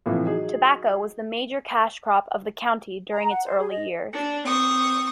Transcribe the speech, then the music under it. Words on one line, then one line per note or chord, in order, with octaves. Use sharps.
Tobacco was the major cash crop of the county during its early years.
A2 C3 E3 F3
F#3 D#4 G#4
A#5
F#5
C5
G#4
D#5
D4
C4 C#6 D#6